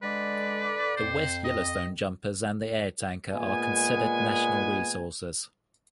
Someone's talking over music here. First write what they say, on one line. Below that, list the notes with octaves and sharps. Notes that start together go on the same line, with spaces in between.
The West Yellowstone jumpers and the air tanker are considered national resources.
D3 G#3 B4 D5
F2 C5
D#5
A#2 G#3 B3 G#5